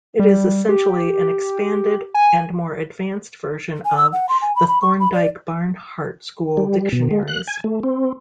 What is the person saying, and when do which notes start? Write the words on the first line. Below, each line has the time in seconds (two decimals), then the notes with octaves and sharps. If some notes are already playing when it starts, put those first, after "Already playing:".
It is essentially an expanded and more advanced version of the Thorndike-Barnhart school dictionaries.
0.19 G3
0.69 G4
2.14 G#5
3.85 G#5
3.97 E6
4.13 F#5
4.29 C6
4.42 G#5
4.56 B5
4.68 B5
4.82 C#6
5.00 B5
5.13 D5
6.57 G3
6.92 B2
7.11 G#3
7.28 F#6
7.48 G#5
7.64 A3
7.83 C4